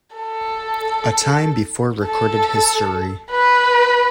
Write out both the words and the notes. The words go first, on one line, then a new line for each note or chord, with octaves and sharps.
A time before recorded history.
A4
A4
B4